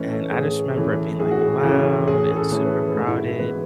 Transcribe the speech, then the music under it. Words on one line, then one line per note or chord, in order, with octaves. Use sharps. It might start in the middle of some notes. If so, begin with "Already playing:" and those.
and I just remember it being, like, loud and super crowded,
Already playing: A2 E3 A3 C#4 B4 C#5 D#5
A4
A2 G#4
E3 A3 C#4
A2 G#4
F#4
G#4
E3 A3 C#4
A2 G#4
G#4
A4
E3 A3 C#4
B4
G#2 A4
E4
F#4
E3 G#3 B3 B4